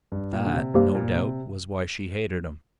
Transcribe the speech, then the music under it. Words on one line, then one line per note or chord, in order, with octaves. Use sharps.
That, no doubt, was why she hated him.
G2
A#2
D3
C3
G2 A#3 G4 C5
A#2
C3